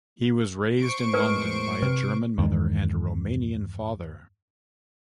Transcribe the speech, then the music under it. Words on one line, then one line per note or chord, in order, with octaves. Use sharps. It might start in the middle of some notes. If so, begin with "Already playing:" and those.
He was raised in London by a German mother and a Romanian father.
C5 C#6 D7
A2 G#3 D#4 A#4 B4 D#5
C3 B4
E2 G2 D#3 G#3